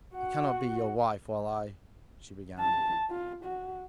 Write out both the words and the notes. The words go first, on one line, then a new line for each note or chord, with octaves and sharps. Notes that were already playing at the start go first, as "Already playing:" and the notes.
"I cannot be your wife while I...." she began.
F#4 F#5
A5
F4
F#4